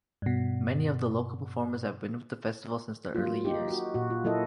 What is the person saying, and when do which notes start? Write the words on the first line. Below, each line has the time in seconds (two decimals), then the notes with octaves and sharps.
Many of the local performers have been with the festival since the early years.
0.22 G2 B2
3.15 F#3 A#3 F4
3.45 D#4 G4
3.71 F#4
3.94 A#2 F#4
4.10 F4
4.24 F#3 A#3 E4 A4 D#5